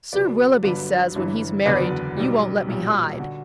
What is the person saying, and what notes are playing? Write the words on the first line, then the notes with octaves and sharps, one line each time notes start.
"Sir Willoughby says, when he's married, you won't let me hide."
C#2 B2 F#3 B4 D5
G1 G2 D3 F#3 B4 D5
G1 G2 E3
F#1 E2 D3 F#3 B4 D5
B1 B2 G3
B1 A#2 G3
D3 F#4